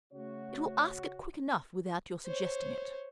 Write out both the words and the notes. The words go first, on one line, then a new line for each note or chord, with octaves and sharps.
It will ask it quick enough without your suggesting it.
C#3 A3 F#4 C#5
C5 C#5